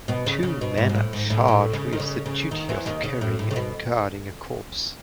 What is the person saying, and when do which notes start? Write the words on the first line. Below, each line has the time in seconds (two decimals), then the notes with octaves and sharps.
Two men are charged with the duty of carrying and guarding a corpse.
0.08 B2 B3
0.26 C#3
0.43 C#3
0.61 B2
0.78 G#2
0.89 G#2
0.95 A2
1.13 G#2
1.30 A2
1.48 A2
1.73 C#3
1.93 D#3
2.00 C#3
2.26 C#3
2.51 D#2 D#3
2.69 E2 E3
2.86 D#2 D#3
3.04 C#3
3.21 A2
3.39 A2
3.51 C#3
3.56 B2